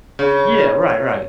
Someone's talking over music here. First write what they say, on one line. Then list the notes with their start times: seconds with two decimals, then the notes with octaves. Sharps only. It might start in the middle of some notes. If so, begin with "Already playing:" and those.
Yeah. Right, right.
0.19 C#3